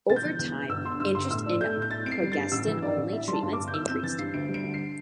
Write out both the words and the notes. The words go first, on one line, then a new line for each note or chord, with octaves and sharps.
Over time, interest in progestin-only treatments increased.
E1 A6
G6
E3 A6
E2 G6
E1
G1 E6
D3 C6
G2 E6
G1 C6
A2 E6
D4
A3 G6
A2
G6
E4 A6
C4 D7
C7
G3
A6
G2
A1 E6
E3
G2 D5
A1
E4 E5
G3 C6
A5
G2
D6
G1
G6
E4 E6
C4 G6
E3 A6
G2 C7
D2 D7
G3
D7
D3
C7